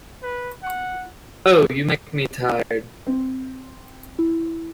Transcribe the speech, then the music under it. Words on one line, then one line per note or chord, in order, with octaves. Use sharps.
Oh, you make me tired.
B4
F#5
C4
E4